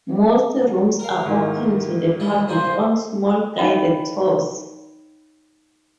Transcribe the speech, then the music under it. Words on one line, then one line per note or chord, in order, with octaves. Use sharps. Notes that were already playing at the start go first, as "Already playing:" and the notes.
Most rooms are open to the public on small, guided tours.
A#4 F5
G#2 D#3 E4
E3 G3 G#3
G2 A#3 C5 G#5
D#4 C#5 D#5 F5 G5 B5